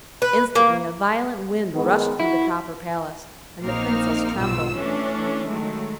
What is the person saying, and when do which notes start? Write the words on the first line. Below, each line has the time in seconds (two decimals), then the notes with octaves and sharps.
Instantly a violent wind rushed through the copper palace, and the Princess trembled.
0.22 B4
0.55 A#3
1.74 D#3 G#3 B3
2.20 E4 F#4
3.63 A#1 A#3 C4 D#4 F6
4.37 B1 G#2 B2 F4 E6
4.77 E3 A3 C#4 D4
5.47 D#3 F#3 G#3 A3